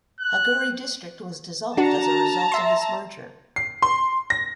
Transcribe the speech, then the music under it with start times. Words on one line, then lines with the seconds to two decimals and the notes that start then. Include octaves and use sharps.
Haguri District was dissolved as a result of this merger.
0.20 F#6
1.77 D4 F#4 A5 A#5
2.52 E5 C6
3.56 C7
3.82 C6
4.30 A#6